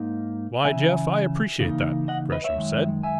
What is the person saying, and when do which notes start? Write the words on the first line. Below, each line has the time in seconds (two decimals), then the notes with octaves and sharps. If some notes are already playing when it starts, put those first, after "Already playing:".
"Why, Jeff, I appreciate that," Gresham said.
Already playing: G#2 A#3 D#4
0.65 F#2 C#3 E3 E5 G#5
1.60 C#3 E3 A#3 D#4
2.08 D#5 F#5
2.32 B4 D#5
2.44 C#5 E5
2.56 F#2 D#3 G#3
3.03 E5 G#5